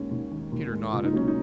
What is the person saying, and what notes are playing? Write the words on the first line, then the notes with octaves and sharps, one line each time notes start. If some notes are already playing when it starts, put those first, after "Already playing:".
Peter nodded.
Already playing: D#2 G#3 C#4
D#2
D#3
D#2
G#3
C#2 F4
D#4
F#3 C#4
D#4